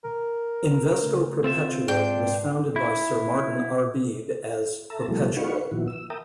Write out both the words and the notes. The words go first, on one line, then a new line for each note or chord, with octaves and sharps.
Invesco Perpetual was founded by Sir Martyn Arbib as "Perpetual".
A#4
C#3 A3
C4 F4 E5
G#2 D4 G5 C7
E4
A4 E5 A5 A#5
B2 E3 F#3 G#3 A#3 A4
D4 D#4 F#4 B4 F5 C#6
A#2 D#3 F3 B3 E4 F#4
E6
A#4 E5 G5 A5 A#5 D#6